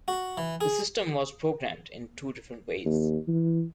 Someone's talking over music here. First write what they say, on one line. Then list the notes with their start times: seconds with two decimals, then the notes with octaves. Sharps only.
The system was programmed in two different ways.
0.08 F#4
0.37 E3
0.61 G#4
2.85 D#2
3.28 E3